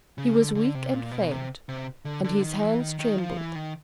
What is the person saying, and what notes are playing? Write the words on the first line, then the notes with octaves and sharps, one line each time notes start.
He was weak and faint, and his hands trembled.
C#3
D3
D3
C3
A#2
B2
C3
C3
D3
D3
D#3
E3
D#3
D#3
F3
E3
D#3